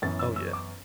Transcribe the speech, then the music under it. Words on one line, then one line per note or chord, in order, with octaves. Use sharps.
Oh, yeah.
F#2 E3 B3 A6
E6
E6
D6